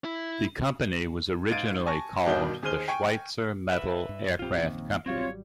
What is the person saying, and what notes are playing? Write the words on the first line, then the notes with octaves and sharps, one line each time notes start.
The company was originally called the Schweizer Metal Aircraft Company.
E4
G#2 F5 G#6 A6 D7 D#7
G#5 A5 C#6 A#6
G2 B2 D#3 D#6 G6 G7
D#2 G#4 C5 F6 D#7 G7
G5 G#5 C#6
B4 E5
G2
A#1 F#2 C4 F4 G4
D#2
G#1 F#3 G3 C4 F4 C#5